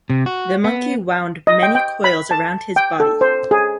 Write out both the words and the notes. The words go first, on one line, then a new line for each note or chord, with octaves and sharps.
The Monkey wound many coils about his body.
C3
F#4
B3
D#5
G5
G5
B5
A5
G5
A4
C5
G#4